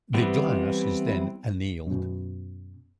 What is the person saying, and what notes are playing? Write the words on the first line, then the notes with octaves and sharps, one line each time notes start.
The glass is then annealed.
E3 G3 B3 C4
F#2 B2